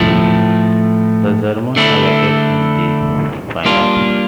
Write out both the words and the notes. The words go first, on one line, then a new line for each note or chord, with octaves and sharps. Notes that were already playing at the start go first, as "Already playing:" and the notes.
The Germans awaited in the final.
Already playing: A2 F3 A3
D3 A3 E4
G3 A#3 D4 F4